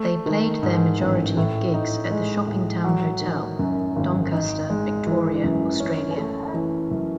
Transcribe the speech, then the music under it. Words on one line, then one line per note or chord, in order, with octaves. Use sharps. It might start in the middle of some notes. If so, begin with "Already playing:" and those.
They played their majority of gigs at the Shoppingtown Hotel, Doncaster, Victoria, Australia.
Already playing: A3
D#3
G#2
A1
A2
D#4
G#3
A2
F#3
D#3
F#2
G#1
D#4
G#3
E3
F#2
C#4
A3
E3
F#2